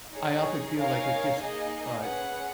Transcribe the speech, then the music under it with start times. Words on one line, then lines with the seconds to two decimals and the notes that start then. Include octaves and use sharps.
I often feel like it's just, uh,
0.14 D#4 G#4 C#5
0.78 D#4 A#4 C#5 F5 G#5
1.40 A#3 D#4 G#4 D#5
2.04 C#4 G#4 B4 F#5